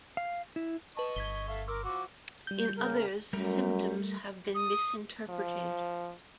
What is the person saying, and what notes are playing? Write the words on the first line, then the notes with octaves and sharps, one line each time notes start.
In others, the symptoms have been misinterpreted.
F5
E4
B4 D#5 A5 C#6
G1 G#6 B6 G7
A4 E5 F5 C#6
A#4 C6 D6 E6
F3 F#4 D6
G3 G6
C#3 A#4
F#2 G3 A3 A#4
D#6
F3